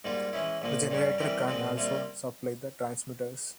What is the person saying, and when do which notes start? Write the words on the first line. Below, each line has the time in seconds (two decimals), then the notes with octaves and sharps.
The generator can also supply the transmitters.
0.04 G#2 G3 A#3 F4
0.33 E3 G#3 C#4 E4
0.62 A#1 A#2 F3 A#3
0.91 G2 G3 C#4 G4
1.18 E3 G3 C4 G4 A#4
1.48 A#2 F3 G#3 C4
1.77 C3 G3 A#3 F4